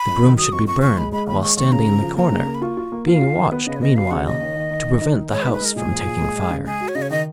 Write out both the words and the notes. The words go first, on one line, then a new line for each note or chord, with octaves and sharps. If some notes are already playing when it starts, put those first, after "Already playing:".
The broom should be burned while standing in the corner, being watched meanwhile, to prevent the house from taking fire.
Already playing: B5
F2
D#3
F#3 D#6
F2 C#6
F2 C#6
D#2 C#6
G#3 B5
G#3 B5
D#2 B5
G#3 C#6
D#2 C#6
C#3 A#5
C#3
F3
A#3 A#5
C#3
A#3
B5
F4 C#6
F4
A#3
F4 F5
F4
D#3
B3 B4
C#3 D#5
C#5
B3 D#5
F#3 F5
C#3 F#5
D#2 D#5
D#3
D#3
D#3
D#3
D#4
D#3
G#3 C#5
B4
D#4
B4
G#3 A#4
A#2 G#4
F3
A#2
G#3
G#3
C#3
G#3 G#4
F#4
C#5
C#3 D#5
C#5
D#3 D#5